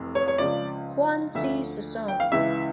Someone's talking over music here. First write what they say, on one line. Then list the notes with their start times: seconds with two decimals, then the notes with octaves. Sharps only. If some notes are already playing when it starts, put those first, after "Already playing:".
Juan C. Sison.
Already playing: F1 F2 E3
0.15 C#5
0.28 C#5
0.38 C#2 C#3 F3 D5
1.35 D2 D3 F3 E5
2.08 G5
2.20 F5
2.32 C#2 C#3 E3 E5